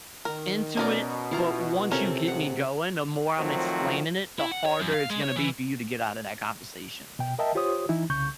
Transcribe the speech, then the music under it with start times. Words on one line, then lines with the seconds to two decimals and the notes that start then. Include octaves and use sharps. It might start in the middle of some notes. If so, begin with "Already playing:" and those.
into it, but once you get me going, the more I'm explaining it, the harder it's gonna be for you to get out of that conversation,
0.25 D#3 A#4
0.77 B2 C#4 D#4 A#4 D5
1.31 E4 F4 A#5
1.91 C3 C#4 A4 A#4
2.28 A1 G#4 F#5
3.38 D#3 F3 F#3 A3 C4
4.39 E4
4.52 F#5
4.66 C#5
4.80 F#2
4.94 F5
5.10 G#3
5.22 C#5
5.36 E3
7.19 B2 G5
7.39 A#4 D#5 E5 G5 A5
7.55 F4 G4 C5 C#5 D#6
7.89 E3 D#4 E4
8.10 C2 C#3 C#6 G6